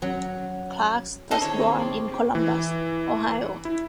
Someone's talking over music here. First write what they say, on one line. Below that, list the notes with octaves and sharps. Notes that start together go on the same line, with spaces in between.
Klages was born in Columbus, Ohio.
F#3 C#4
D4 D#4 A4 C5 D#5
D#3 E4 G#4 C#5
A#3 C4
D5 C6
C#4 G4
E3
E4